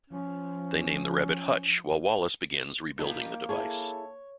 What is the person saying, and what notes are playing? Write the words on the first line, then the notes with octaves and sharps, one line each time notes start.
They name the rabbit Hutch while Wallace begins rebuilding the device.
F3 C#4
A#2 G3 A#3 D#4
E4 G#4 A4 C#5